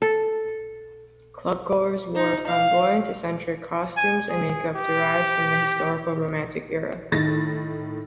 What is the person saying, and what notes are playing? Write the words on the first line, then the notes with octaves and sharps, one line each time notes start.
Club-goers wore flamboyant, eccentric costumes and make-up derived from the historical Romantic era.
A4
D#4
F5
G#5
G#4
G4
A2 D#3 A6 A#6